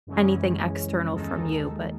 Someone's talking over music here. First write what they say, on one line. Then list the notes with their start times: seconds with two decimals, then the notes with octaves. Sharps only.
anything external from you, but,
0.07 F#2 C#3 E3 G#3 C#4
1.13 D#2 D#3 G#3 D#4 A4